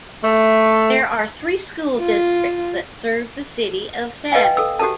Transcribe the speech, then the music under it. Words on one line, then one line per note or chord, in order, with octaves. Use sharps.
There are three school districts that serve the city of Savage.
A3
F4
B4 D#5 F5 F#5 G#5
G5
A4 E6
F#4 G4 A4 A#4 A5